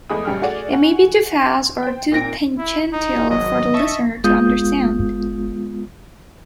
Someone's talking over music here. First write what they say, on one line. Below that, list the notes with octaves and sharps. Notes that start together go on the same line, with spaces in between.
It may be too fast, or too tangential for the listener to understand.
E2 G#3 A3 G#4 B5 D#6
A1 F#2 G3 G#4 G5 F6
A3 F#4 G#4 D5 F#5
F#5 G#5 C#6
C5 G5
A#2 C4 A#6 D7
E4
D#4
G#1 F#3 D#5
E5 A5 C#6
G#3 B3 F4 D#6 G6